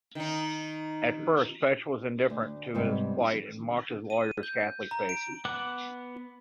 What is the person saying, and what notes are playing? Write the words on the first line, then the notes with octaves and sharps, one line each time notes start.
At first Fesch was indifferent to his plight and mocked his lawyer's Catholic faith.
D#3 D#4
D2
G#2 C3 G3 B3
D#7
G6
A#5
D7
B3 F#5 D6 F#6